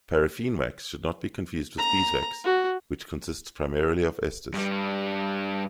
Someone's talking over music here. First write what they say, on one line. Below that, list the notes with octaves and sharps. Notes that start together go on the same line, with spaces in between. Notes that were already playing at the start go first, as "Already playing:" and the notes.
Paraffin wax should not be confused with beeswax, which consists primarily of esters.
A#5
F#4
G2 G3